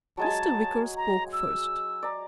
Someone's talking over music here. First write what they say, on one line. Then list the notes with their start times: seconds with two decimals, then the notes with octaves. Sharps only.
Mr. Wicker spoke first.
0.17 F#3 G#3 G#5 A5
0.97 A#5
1.33 E6
2.03 D5 A#5